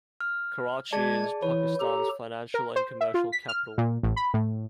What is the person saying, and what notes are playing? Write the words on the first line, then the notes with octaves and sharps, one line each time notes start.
Karachi is Pakistan's financial and commercial capital.
F6
G#3 G#4 D5 A5 G#6
E3 E4 C#5
G4 A4 A#5
A#4
C5
E5
F4
B6
F6
A#2
A1
B5
A2